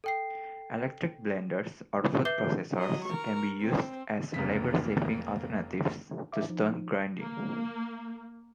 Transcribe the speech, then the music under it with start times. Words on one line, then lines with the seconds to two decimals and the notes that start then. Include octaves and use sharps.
Electric blenders or food processors can be used as labor-saving alternatives to stone grinding.
0.04 A4 G5 C7
2.25 B4 E5 D6 G6 C7 G7
2.75 F#3 D#5
3.05 A#4 C#6
3.61 C4
4.34 F1 C#3 A#3 B6
6.32 E5 F5 D6
6.50 F3 D#4
7.21 A#3